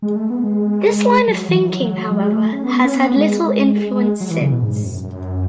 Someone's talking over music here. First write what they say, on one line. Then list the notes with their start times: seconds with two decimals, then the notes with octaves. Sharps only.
This line of thinking, however, has had little influence since.
0.02 G#3
0.16 A3
0.30 B3
0.44 G#3
1.28 F#3
1.49 E3
1.69 F#3
2.11 G#3
2.32 A3
2.53 C#4
2.64 B3
2.75 B3
2.85 C#4
2.96 B3
3.16 G#3
4.21 F#3
4.31 E3
4.41 C#3
4.52 B2
4.63 G#2
4.83 F#2
5.04 F#2